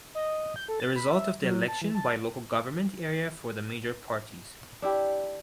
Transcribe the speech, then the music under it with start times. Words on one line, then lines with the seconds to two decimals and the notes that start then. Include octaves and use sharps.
The results of the election by local government area for the major parties.
0.15 D#5
0.56 G6
0.68 A4
0.80 A6
0.96 B5
1.11 E5
1.42 F#3
1.68 A5
1.82 E3
1.95 A5
4.82 D4 E4 G4